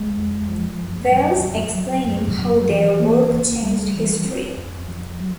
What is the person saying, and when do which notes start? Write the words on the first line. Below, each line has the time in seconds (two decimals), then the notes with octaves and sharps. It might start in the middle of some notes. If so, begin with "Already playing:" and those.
Wells, explaining how their work changed history.
Already playing: C2 G#3
0.17 F2
0.48 F3
0.80 F#2
1.11 F#3
1.42 C#2
1.74 F#3
2.05 F#2
2.37 F#3
2.69 E3
3.00 A#3
3.30 C#2
3.62 G3
3.94 E3
4.25 C4
4.56 F2
4.88 F3
5.20 F#3